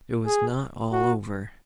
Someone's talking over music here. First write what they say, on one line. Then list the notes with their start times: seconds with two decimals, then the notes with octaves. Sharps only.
It was not all over.
0.26 G#4
0.92 F#4